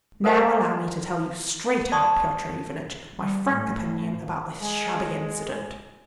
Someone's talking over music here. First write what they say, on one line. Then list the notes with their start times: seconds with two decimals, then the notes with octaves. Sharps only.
Now allow me to tell you straight out, Pyotr Ivanitch, my frank opinion about this shabby incident.
0.24 A4 A#4 C5 D#5 F#5 G#5
1.92 D5 A5 C6 C#6 D#6
3.18 G3
3.52 A2
4.60 G#3